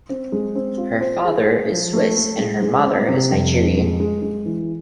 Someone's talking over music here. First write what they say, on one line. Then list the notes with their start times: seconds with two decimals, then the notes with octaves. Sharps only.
Her father is Swiss and her mother is Nigerian.
0.09 C4
0.32 G#3
0.55 C4
0.78 F4
1.00 C5
1.24 G#4
1.46 G#4
1.70 F3
1.93 A3
2.16 A3
2.39 G#3
2.62 G#3
2.85 C4
3.08 C3
3.31 F2
3.54 F2
3.77 G#3
4.00 G#3
4.22 G#3
4.46 E3